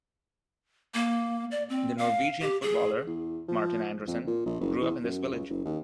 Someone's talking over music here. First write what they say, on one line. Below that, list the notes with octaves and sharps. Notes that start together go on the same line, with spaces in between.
The Norwegian footballer Martin Andresen grew up in this village.
A#3
D5
C4
F5
G4
G#4
E2
F3
F2
A#2
A#1
F#1
E2
F#2
C#2
F#1
D#2